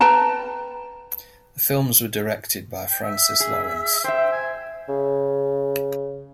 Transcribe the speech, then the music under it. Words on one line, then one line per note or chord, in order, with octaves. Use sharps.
The films were directed by Francis Lawrence.
B4 G5 A5 A#5
G5
E5
G#4
C5 E5 G5
G#5
C#3